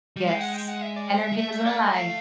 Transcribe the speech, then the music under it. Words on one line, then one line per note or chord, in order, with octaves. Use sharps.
Yes. Energy doesn't lie.
G3
G#3 F5
G5
F#5
G5
F#5
E5
D5
C5
E5
G#3
A3 E5
E5
D5
D#5
F5